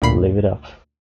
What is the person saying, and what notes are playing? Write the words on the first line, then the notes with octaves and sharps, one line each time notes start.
Live It Up!
D2 A#2 B5 C7